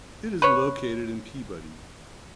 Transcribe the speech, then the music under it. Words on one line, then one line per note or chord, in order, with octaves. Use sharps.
It is located in Peabody.
B4 C#5